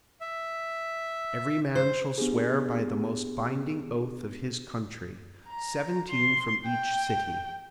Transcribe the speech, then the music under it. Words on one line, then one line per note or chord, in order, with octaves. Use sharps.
Every man shall swear by the most binding oath of his country, seventeen from each city.
E5
C5
B3 D4 G4 G#4
A#5
C6
G5